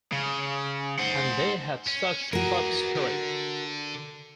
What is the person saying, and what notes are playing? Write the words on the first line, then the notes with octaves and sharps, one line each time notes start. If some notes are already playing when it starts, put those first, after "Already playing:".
And they had such club spirit.
C#3
C5 F#5
C#4
E3 F#4 G#4 A#4
D3